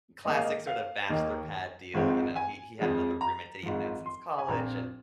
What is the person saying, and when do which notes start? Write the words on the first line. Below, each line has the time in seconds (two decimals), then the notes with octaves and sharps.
classic sort of bachelor pad deal, you know, he he had another roommate that he had known since college, and
0.25 G#2 D#3 A#3 D#4 D#5
0.35 F5
0.45 D#5
0.67 F5
1.09 D#2 D#3 A#3 D#4
1.94 G#1 G#2 F3 G#3 C4
2.36 G#5
2.79 F2 F3 G#3
3.21 A#5
3.63 G#1 G#2 F3
4.06 C6
4.38 G#5
4.48 A#1 A#2 F3 C4 A#5